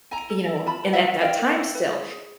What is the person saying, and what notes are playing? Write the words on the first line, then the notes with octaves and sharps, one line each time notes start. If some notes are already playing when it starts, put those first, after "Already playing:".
you know, and at that time still.
E4 G#5 A#5
A4
E4
F4 A5 B5
B4
E5 F#5
B4
E4 F5 G5
A#4
E4
B4
G#4
G#4